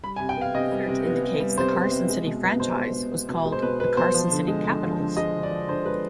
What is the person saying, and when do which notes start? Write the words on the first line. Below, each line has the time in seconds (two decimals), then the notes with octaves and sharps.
Research indicates the Carson City franchise was called the Carson City "Capitals".
0.04 G3 B5
0.16 G#5
0.20 C3
0.29 G5
0.37 B3 F5
0.55 C3 D#5
0.72 G3
0.89 C3
1.06 B3
1.23 C3
1.40 G3
1.57 C3 C5
1.74 B3
1.92 C3
2.09 G#3
2.26 B2
2.43 B3
2.60 B2 C5
2.77 G#3
2.94 B2
3.12 B3
3.29 B2
3.45 G#3
3.52 C5
3.62 B2 B4
3.80 B3 B4
3.97 B2 C5
4.14 F3
4.32 D3
4.48 G#3
4.66 D3
4.83 F3
5.00 D3
5.17 G#3 D#5
5.33 D3
5.43 D5
5.51 F3
5.68 D3 C5
5.85 G#3 B4